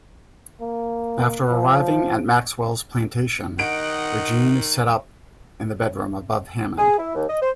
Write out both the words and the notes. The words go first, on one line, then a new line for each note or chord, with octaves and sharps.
After arriving at Maxwell's plantation, Regine is set up in the bedroom above Hammond.
A#3
F3
D#3 D#5 F#5 D7
G#4
E4
D#2
D#5
C5